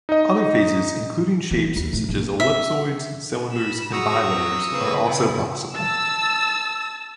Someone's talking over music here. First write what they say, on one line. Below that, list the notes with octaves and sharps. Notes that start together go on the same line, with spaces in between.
Other phases, including shapes such as ellipsoids, cylinders, and bilayers, are also possible.
D#4 D#5
E3
D#2
A2
A#1
E5
B5 E7
G#3 F#4 A#5 C#6 D#6 E6
F#3
C#3 A#3 C4 B4
A#2 C4 E4
A5 E6